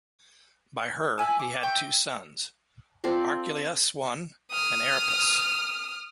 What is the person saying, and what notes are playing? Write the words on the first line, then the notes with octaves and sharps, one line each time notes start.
By her, he had two sons, Archelaus I and Aeropus.
E5 G#5 A5
D6
C5 E5 G5 C#6
C4 F4 A4 D5
D#6 F6